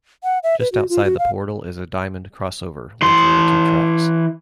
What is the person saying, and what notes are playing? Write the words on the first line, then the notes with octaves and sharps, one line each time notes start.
Just outside the portal is a diamond crossover linking the two tracks.
F#5
E5
B4
F#4
F4
F#4
F5
E3 C6